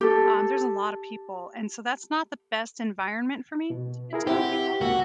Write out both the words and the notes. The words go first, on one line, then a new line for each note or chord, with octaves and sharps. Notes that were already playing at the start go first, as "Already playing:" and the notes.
um, there's a lotta people, and so, that's not the best environment for me to get to know people,
G4 A4
B2
E4 G#4 A#4
C4 E4 G4 F#5
C#2 A#3 F#4 E6